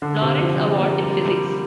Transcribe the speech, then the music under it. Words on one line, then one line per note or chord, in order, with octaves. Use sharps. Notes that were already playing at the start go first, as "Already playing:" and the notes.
Lawrence Award in physics.
D3
C3
F3
G3
A#3
G3
G3